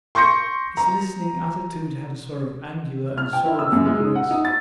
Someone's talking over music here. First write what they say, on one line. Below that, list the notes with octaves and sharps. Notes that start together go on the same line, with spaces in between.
His listening attitude had a sort of angular and sorrowful grace.
C6 C#6 G6 A#6 C#7
A#5
F6
G5
E4
E6
F#2
G#3
D#4
F#5
D#4
A6